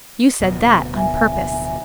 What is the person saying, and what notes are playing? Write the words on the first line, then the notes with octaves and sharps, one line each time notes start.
You said that on purpose!
D1 B2
E5 G#5